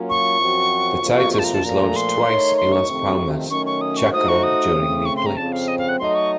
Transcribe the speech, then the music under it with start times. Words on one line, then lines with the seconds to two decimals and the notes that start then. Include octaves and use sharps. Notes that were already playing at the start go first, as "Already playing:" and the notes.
The Titus was launched twice in Las Palmas, Chaco during the eclipse.
Already playing: F#3 A#3 C#4 F4
0.09 C#6
0.41 F#2 F3 C4 F#4
1.02 F2 C3 F3 A#3 F4
1.18 C#6
1.33 C#6
1.39 A5
1.44 A#5
1.54 A5
1.64 A#2 F3 A3 A#5
1.96 C6
2.27 A3 D#4 A#4 C#5
2.57 C6
2.73 C#6
2.89 F2 C3 D#3 A3 C4
3.50 D#3 F#3 A3 C#4 C#6
3.66 C#6
3.81 D#6
3.97 C#6
4.13 A3 D#4 F#4 C5 D#6
4.29 C#6
4.43 D#6
4.75 C#3 A3 C4
5.06 C#6
5.16 C6
5.26 A#5
5.37 F2 C#3 F3 C4 A5
5.52 F5
5.68 D#5
5.78 F5
5.89 F#5
5.99 F#3 A3 D#4 A4 D#5 C6
6.15 C#6